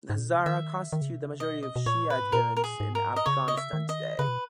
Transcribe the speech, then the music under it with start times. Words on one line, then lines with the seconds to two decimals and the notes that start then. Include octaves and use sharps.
The Hazara constitute the majority of Shia adherents in Afghanistan today.
0.10 G#2
0.19 A#2
0.29 B2
0.37 C#3
0.46 D#3 E5
0.93 D#3
1.01 C#3
1.11 B2
1.20 C#3
1.40 B2 D#5
1.63 D#5
1.76 B2
1.86 A#2 C#5
2.10 B4
2.21 G#2
2.32 A#2 A#4
2.57 A#4
2.64 G#4
2.80 G#2
2.95 A#4
3.16 D#5
3.26 C#3 C#5
3.48 D#5
3.57 E5
3.73 D#3
3.89 D#5
4.19 C#3 B4
4.28 B2